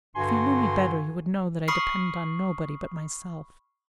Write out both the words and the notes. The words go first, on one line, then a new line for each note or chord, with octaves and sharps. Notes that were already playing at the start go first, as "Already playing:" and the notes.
"If you knew me better, you would know that I depend on nobody but myself."
G2 D3 F#4 G#5 C6
B5 C#6 D#6 F6 C7